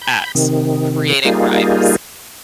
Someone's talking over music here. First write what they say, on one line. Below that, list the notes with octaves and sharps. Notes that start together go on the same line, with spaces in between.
at creating rhymes.
B5 G6
C3 D#3
G3 A#3 D#4 F4 G#4